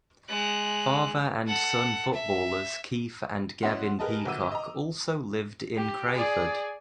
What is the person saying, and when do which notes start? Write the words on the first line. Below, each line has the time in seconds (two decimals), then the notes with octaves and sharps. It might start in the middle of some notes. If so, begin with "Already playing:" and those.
Father and son footballers Keith and Gavin Peacock also lived in Crayford.
0.29 G#3 F#6
1.47 A4 F#5
2.13 E5
3.63 C#4 E4 F#4 D#5 F#5 C6
3.99 G4 G#4 A#4 B4 D#5 A5
4.25 G1 F#3 F#4 D6 E6 D#7
4.52 D#5 A#5
5.76 G4
6.16 G#4 D5